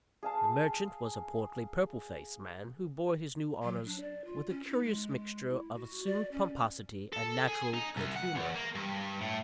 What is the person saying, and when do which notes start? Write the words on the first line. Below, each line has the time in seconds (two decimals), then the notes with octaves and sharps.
The merchant was a portly, purple-faced man, who bore his new honours with a curious mixture of assumed pomposity and natural good-humour.
0.23 G#4 F5 A5
3.63 F#3
3.86 D4
4.01 D5
4.25 F4
4.49 C#4
4.70 D#4
4.84 G#3
5.48 E4
5.75 F#4
6.06 D5
6.32 C#4
7.13 A4
7.48 G#4
7.74 D#4
7.97 C2
8.16 F#5
8.35 E2
8.55 A#3
8.75 G2
9.21 A2